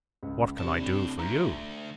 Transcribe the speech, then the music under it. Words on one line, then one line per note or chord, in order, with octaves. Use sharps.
What can I do for YOU?
C#2
A2 C3 D4 G4 A5
D2 A#5